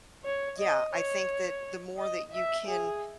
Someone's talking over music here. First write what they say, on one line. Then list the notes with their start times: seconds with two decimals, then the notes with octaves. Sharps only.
yeah, I think that the more that you can
0.24 C#5
0.59 D#5
0.94 C#5
1.97 D#5
2.32 E5
2.67 G#4